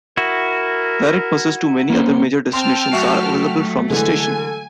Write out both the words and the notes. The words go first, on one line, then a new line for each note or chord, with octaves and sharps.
Direct buses to many other major destinations are available from the station.
E4 F#4 A#4
A#3 C#4 C5
C4 G5 A5 C6 F6
F#3 A3 F#4 E5 C7
D3 E3 G#3 A4 G#5